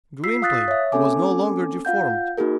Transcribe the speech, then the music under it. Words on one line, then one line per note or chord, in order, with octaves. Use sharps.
Gwynplaine was no longer deformed.
F4 E6 B6 C7
F5 D#6 F#6 A6 B6
C#5 E5
A#3 C4 C#4 A4 G#5 D6
F4 F5 F#5 G6
A#3 D#4 F#4 G#4 A#4